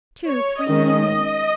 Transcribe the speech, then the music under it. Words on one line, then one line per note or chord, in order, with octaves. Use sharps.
'Two--three evenings.
C#5
D#3 G#3 C#4 D#5